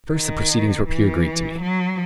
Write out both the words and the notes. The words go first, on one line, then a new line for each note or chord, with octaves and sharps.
At first the proceedings were pure Greek to me.
D#3
E3
F#3